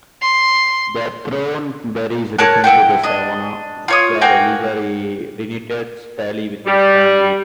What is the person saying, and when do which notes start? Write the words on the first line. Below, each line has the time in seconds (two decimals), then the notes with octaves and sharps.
The Thornberrys return to the Savannah, where Eliza reunites Tally with his family.
0.22 C6
2.38 A#4 C#5 A5 F#6
2.64 E4 C5 F#5 G5
3.03 D4 D#5
3.88 F4 C#5 D#6
4.21 A#3 F#4 G5 G#5
6.66 G3